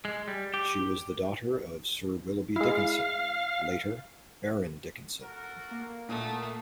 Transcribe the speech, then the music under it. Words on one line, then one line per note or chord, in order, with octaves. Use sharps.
She was the daughter of Sir Willoughby Dickinson, later Baron Dickinson.
G#3
G3
G4
G#3 E4 F5
F#4 A4 A#4
A#3
A#2 A3 A#4 F#5 D#6